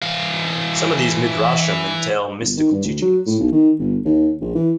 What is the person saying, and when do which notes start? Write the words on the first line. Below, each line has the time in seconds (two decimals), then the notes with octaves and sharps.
Some of these midrashim entail mystical teachings.
0.02 E3 F5
2.41 G1
2.57 D#3
2.72 G2
2.84 D2
3.02 F#3
3.26 A2
3.40 B1
3.52 D#3
3.79 G1
4.05 D#2
4.41 A#1
4.55 E3